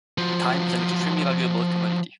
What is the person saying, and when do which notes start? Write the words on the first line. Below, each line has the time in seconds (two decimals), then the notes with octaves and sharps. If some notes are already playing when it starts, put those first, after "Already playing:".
Time is an extremely valuable commodity.
0.18 F3 F#3